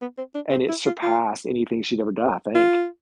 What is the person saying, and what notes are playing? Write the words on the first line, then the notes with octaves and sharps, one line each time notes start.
and it surpassed anything she'd ever done, I think.
B3
C4
D4
C4
E4
F4
F4
F4